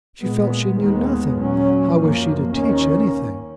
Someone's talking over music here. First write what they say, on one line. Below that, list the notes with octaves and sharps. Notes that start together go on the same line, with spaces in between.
She felt she knew nothing: how was she to teach anything?
A#2 G#3 B3
D#2 D#3 G#3 B3
A#2 F#3 C#4
F#2 F3 A#3
D#2 D#3 A#3 C#4